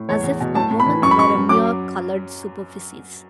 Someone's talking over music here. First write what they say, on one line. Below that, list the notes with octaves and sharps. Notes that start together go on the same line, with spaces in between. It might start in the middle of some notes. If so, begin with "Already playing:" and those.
As if a woman were a mere colored superficies!
Already playing: A2
E2 C#5
E2
B2
A2 A5
A2
B5
E3
F#2 C#6
B5
F#2 C#6
F#2
F#3 D6